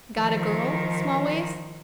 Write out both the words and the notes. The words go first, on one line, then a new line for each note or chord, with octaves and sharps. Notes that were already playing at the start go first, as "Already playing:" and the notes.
"Got a girl, Smallways?"
D#3 F3